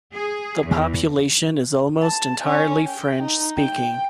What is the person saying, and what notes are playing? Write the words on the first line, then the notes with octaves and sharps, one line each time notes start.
The population is almost entirely French-speaking.
G#4
E2
A5
C#4
G5
D#4
G5